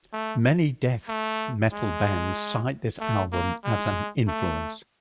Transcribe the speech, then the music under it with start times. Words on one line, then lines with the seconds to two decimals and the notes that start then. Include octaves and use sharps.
Many death metal bands cite this album as an influence.
0.13 A3
1.08 A3
1.73 G#3
3.01 A3
3.32 A#3
3.64 G#3
4.28 A3